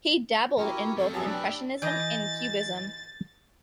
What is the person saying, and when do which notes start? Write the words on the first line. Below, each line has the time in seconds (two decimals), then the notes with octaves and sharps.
He dabbled in both Impressionism and Cubism.
0.58 C#4 E4 F#4 G4 A#4
0.97 F3 C4 A4
1.13 F#3 B3 G4 G#4 A5 A#5 E6
1.27 A3 D4 B4 G5 B5
1.82 E3 D#5 G6 A6 A#6